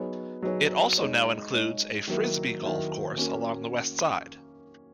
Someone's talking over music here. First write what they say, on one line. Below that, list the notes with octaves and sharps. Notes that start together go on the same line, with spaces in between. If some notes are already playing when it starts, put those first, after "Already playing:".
It also now includes a frisbee golf course along the west side.
Already playing: F#3 B3 D#4 G#4 C#5
F#3 B3 D#4 G#4 C#5
G#3 D#4 G#4 C#5
G#3 D#4 G#4 C#5
D#3 F#3 A#3 E4
D#3 F#3 A#3 E4
A#3 C#4 F#4